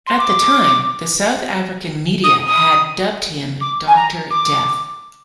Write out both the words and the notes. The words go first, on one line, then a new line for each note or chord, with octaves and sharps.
At the time, the South African media had dubbed him "Dr Death".
C6
D6
D#6
D#6
D6
G#5
A#5
D6